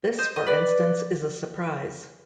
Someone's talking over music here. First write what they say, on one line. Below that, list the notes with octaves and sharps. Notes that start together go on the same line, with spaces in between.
This, for instance, is a surprise.
C5 D#5
D#5
B4 D5